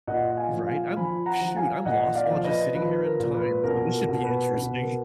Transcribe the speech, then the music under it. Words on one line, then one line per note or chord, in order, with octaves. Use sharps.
Right, I'm, shoot, I'm lost while just sitting here in time, so this should be interesting.
A#2 D#5 F#5
F5 G#5
F3
F5 G#5
F3 G#5 B5
F#5 A#5
F3
F5 G#5
A#2 D#5 F#5
D5 F5
F3
B4 D#5
F3 B4
A#4
A#2
B4
B2 A#4
A#4
B2
B4
B2 B4
A#4